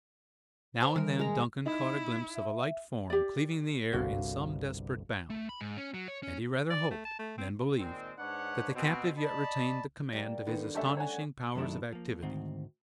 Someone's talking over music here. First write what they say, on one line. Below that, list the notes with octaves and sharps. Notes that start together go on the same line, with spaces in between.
Now and then Duncan caught a glimpse of a light form cleaving the air in some desperate bound, and he rather hoped than believed that the captive yet retained the command of his astonishing powers of activity.
C5 G5 A5
D#3 G3 A#4
G#3 A#5
D#4 E4
E5
G4 D5
G1 C2 D3 F#4 F5
A3
B5
G#2
C#4
F#3
C#5
C#4
D5
A3
A5
A3
C4
A#2 D#3 G#3 C4
G#2 D4 B4 C#5 F#5
B2 C4
D5 D#5 A5 B5
G3 A#3
D3 D#3 B3
G1 G3 A3 C#4 A4 E5
C#5 F#5 G#5
F#2 D#3 F#3 A3 D4 E4
F3 A#3
D2 G#2 D#3 C4